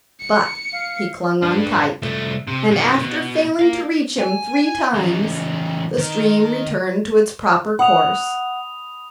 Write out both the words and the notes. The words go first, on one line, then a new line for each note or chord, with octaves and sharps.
But he clung on tight, and after failing to reach him three times the stream returned to its proper course.
C#7
F5
D4 B4
C2 A3
C3
B2 D#3
B2
A#4 F5
G#5
C#3 E3
D#3
F#5 B5 D#6 F7